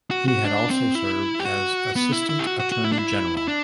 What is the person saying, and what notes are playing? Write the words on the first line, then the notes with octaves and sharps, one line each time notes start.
He had also served as Assistant Attorney General.
F#4
F#4
D4
C4
E4
G4
F#4
B3
E4
E4
G4
F#4
F#4
F#4
E4
D4
E4
E4
D4